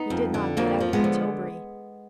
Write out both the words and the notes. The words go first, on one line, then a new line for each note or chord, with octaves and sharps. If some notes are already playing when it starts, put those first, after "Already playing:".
He did not get out of the tilbury.
Already playing: B3 D#4
F2
D3
F2 A#3 D4
F3
G#3 B3
D3